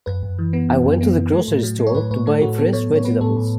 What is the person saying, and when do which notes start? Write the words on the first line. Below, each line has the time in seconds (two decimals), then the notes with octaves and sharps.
I went to the grocery store to buy fresh vegetables.
0.06 F#2 B4
0.23 F#2
0.38 E3
0.53 B3
0.69 E3
0.85 F#2
1.01 B3
1.16 E3
1.32 A3
1.48 A2
1.63 F#3
1.79 A3
1.87 C#5
1.95 A2 B4
2.11 A2 B4
2.26 A3 A4
2.41 A2 F#4
2.58 B3 A4
2.73 F#3 C#5
2.90 A2
2.95 C#5
3.05 B3 B4
3.21 A2 A4
3.36 A2